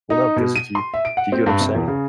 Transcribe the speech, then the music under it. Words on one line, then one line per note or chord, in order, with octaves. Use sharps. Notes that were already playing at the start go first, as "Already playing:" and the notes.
Well, no. 'Cause if you do you get what I'm saying?
D#4
B2
D#7
C6
E5
D7
F#5
C4
G2
C3
E2
C#3